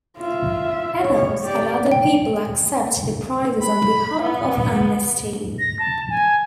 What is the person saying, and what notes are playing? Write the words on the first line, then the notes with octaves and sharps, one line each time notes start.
Ennals had other people accept the prizes on behalf of Amnesty.
F4 E5
C#5
G4 D5
G5
B5
B3
A#6
A5
G#5